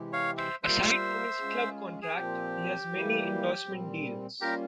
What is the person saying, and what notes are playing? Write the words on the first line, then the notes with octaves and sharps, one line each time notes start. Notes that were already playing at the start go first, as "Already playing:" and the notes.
Aside from his club contract, he has many endorsement deals.
Already playing: C3 E3 G#3 E4 G4
C#5 F5
C5 E5
G3 A#3 F4 A#4 C5 E5
G#3 C#4 F4 G#4
G#4
A#2 F3 C4 G4
E3 G3 A#3
A#2 G3 C4
G3 A#3 C#4 F4 G4 A#4